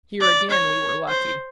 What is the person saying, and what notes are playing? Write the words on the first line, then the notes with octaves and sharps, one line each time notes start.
Here, again, we were lucky.
D5
C#5
C5